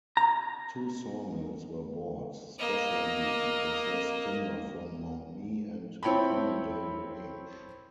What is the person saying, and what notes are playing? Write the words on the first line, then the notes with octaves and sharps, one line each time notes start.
Two sawmills were bought specially to process timber from Mount Mee and Conondale Range.
A#5
A#3 D#5
C4 E4 C#5 G5 A5 B5